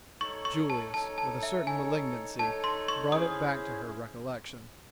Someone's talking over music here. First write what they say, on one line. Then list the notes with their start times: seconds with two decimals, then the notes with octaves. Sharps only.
Julius, with a certain malignancy, brought it back to her recollection.
0.21 D#4 A4 C#5 C#6
0.45 C#6
0.70 A5
0.93 D#4 A4 C#5 A5
1.18 A5
1.43 E5
1.66 D#4 A4 C#5 G#5
2.39 D#4 A4 C#5 A5
2.64 C6
2.88 C#6
3.12 C#4 E4 G#4 C5 D#6